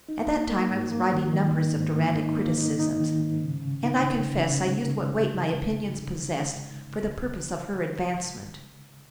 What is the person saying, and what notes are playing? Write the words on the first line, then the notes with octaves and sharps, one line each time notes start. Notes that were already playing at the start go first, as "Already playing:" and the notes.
At that time I was writing numbers of dramatic criticisms, and I confess I used what weight my opinions possessed for the purpose of her advancement.
D#4
A#3
A#3
G#2
A#3
D#3
D#3
D#4
G#2
A#3
D#4
A#3
D#4
D#4
D#3
G#2
C#3
C#3
D#4
C#3
C#3
C#3
G#3
C#3